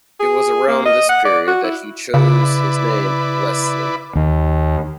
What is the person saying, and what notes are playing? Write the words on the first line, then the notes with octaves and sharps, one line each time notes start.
It was around this period that he chose his name, "Leslie".
G#4
A#3
D#5
F#5
D5
F#4
E4
C#3 E4 B4 D5
D#2